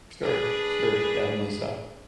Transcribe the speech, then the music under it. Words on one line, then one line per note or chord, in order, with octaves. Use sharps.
Sure. Sure. Definitely so.
D4 G#4 B4